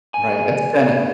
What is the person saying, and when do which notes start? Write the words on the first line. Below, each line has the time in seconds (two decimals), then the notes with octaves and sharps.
right, that's kinda
0.14 G#5
0.77 B2